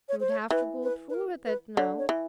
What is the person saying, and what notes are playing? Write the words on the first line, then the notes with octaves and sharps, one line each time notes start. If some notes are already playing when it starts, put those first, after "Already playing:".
He would have to go through with it now.
C#5
C5
C#5
E3 B4
B4
B4
A#4
B4
D3 C#5
C#5
E3